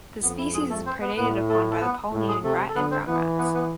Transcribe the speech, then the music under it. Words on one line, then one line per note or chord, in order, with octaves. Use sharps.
The species is predated upon by the polynesian rat and brown rats.
F2 B3
E4
G#3 G#4
A3 A4
C4 C5
B3 B4
A2 B3 B4
A3 A4
A4
B3 B4
A2
G#3 G#4
C3 A3 A4
A4
D3 B3 B4
C4 C5
E3 B3 B4
B3 B4
B3 B4